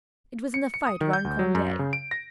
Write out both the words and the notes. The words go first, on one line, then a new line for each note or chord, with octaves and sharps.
It was in the fight round Conde.
C#7
C#7
D#6
D#3
G6
D2
F#3
F#2
C#3
D7
A#6